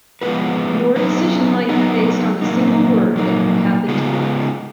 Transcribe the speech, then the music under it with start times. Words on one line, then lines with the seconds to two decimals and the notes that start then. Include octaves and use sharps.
Your decision might be based on a single word that you happen to like.
0.21 F3 G#3 B3 F#4 B4
0.96 F#3 B3 D#4 G#4 B4
1.69 F#3 B3 D#4 G#4 B4
2.42 A#2 F#3 A#3 D#4
3.15 A#2 F#3 A#3 D#4
3.88 C#3 G#3 B3 F4 G#4